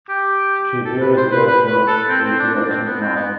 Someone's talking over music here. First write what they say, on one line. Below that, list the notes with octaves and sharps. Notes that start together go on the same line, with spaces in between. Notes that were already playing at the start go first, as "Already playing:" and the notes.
She appeared as a guest judge for the two-episode finale.
G4
A4
B4
C5
B4
B4
B4
A4
C4
C4
D4
D4
C4
B3
C4
B3